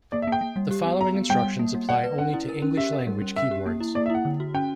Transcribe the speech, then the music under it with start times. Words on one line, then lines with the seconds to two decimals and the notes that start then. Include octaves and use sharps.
The following instructions apply only to English-language keyboards.
0.12 A#3 D5
0.22 E5
0.27 A#3
0.32 G5
0.41 A#3
0.56 G3
0.71 G4
0.86 B3
1.01 B3 A#5
1.15 B3
1.29 G3 G5
1.45 G3
1.59 A#3
1.75 G3
1.89 D5 F#5
2.04 B4
2.18 C#4 F#5
2.34 E4
2.49 A#4
2.62 C#4
2.77 G4 E5
2.92 A#4
3.07 G3
3.22 C#4
3.36 C#4 E5
3.51 G4
3.66 A#3
3.80 E4
3.95 A#3 D5
4.06 E5
4.10 E4 F#5
4.25 D3
4.40 F#4
4.54 C#4 G5